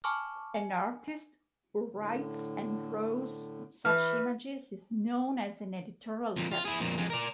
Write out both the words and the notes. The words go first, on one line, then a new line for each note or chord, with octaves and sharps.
An artist who writes and draws such images is known as an editorial cartoonist.
G#5 A5 B5 C#6 D6 F6
G#5
A2 D3
E3 B4 F6
F2 A#2
F4
E4 G#4
F2 A#2
F2 G#3
A#4 D5